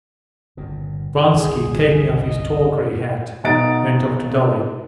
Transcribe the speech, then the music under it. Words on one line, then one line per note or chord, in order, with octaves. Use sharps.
Vronsky, taking off his tall gray hat, went up to Dolly.
G1 A#2 C#3
G1 C2 G#4
D#5
B1 B2 D#4 F#5 A6 D7